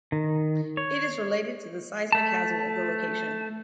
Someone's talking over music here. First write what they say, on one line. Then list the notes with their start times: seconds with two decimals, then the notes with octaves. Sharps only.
It is related to the seismic hazard of the location.
0.12 D#3
0.77 C#5
2.12 A3 A5